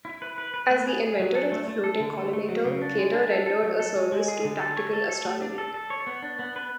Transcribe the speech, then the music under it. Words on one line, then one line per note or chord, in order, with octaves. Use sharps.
As the inventor of the floating collimator, Kater rendered a service to practical astronomy.
E4
B4
B4
B4
A3
G#4
G#4
F#3
A4
A3
A3
A4
D3
A3
A3
F#3
C#3
D4
G#3
D4
A4
A4
F#3
A4
G#3
G#3
G#4
D3
A4
C#5
A4
A4
A3
D4
A4
A4
C#5
B3
D4
B3
B4